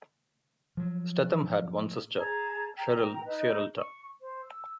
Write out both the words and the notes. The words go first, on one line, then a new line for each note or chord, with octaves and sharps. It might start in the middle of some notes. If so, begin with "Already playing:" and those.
Stethem had one sister, Sheryl Sierralta.
F3 F#3
G#4 A5 A#5 G#6
G5 A#5
D#4 B4
C#6
C5
E6